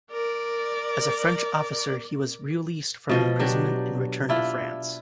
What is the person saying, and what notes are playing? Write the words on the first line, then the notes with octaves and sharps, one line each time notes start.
As a French officer he was released from imprisonment and returned to France.
A#4 D5
B2 F3 D#5
F#3 D4 G4
D4 E4 F4